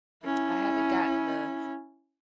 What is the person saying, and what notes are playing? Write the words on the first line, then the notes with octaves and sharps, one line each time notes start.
I haven't gotten the
C#4 E4